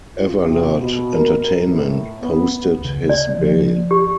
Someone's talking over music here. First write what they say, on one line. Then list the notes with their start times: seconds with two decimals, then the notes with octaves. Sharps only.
Everlert Entertainment posted his bail.
0.16 F4
0.47 C3
0.78 B2
1.14 A#4
1.63 A2
2.21 B3
2.81 D2 C#3
3.09 D5
3.38 F3
3.91 G4